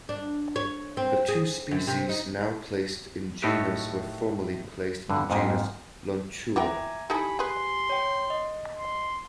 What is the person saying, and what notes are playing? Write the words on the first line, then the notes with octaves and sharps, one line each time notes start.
The two species now placed in genus were formerly placed in the genus "Lonchura".
D4
C#5
C4
G#4
F#2
C3
D#4
A2 A3 D#4 F#4 G4
G2 D3
F2 G#2 F3 A#3
E3 B3 E5 G5 G#5 A#5 D6
D#4 E4 G4 A4 G#5 B5
G#4 B4 C6
C#5 G5
D#5
C6